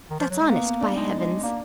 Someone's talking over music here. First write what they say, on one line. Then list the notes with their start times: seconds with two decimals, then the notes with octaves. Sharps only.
That's honest, by heavens!
0.10 D#3
0.20 F3
0.30 F#3
0.41 G#3
0.49 A#3 B3
0.65 B3
0.81 D4
0.96 G#3 D#4
1.19 G#3
1.43 A#3 D4